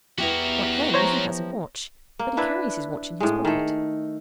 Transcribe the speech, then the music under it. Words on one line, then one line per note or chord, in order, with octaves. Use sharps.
Like them, he has a watch, but he carries his watch in his pocket.
E2 B3 E4 F#4 G4 A#4
F3 C5 C#5 A#5
A#3
D4 E4 B4
A2 G#3
D#3 A3